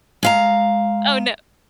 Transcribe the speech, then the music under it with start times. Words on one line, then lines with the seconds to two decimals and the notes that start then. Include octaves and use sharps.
Oh, no.
0.23 G#3 F5 A#5